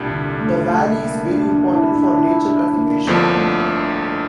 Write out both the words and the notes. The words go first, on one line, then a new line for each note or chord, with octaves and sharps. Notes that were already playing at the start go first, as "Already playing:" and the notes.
The valley is very important for nature conservation.
Already playing: C2 A#2 G3 D4
D3
A3
A3
A#3
D4
D4
E4
D4
E4
D4
A#3
G1 F2 D3 F3 A#3
A3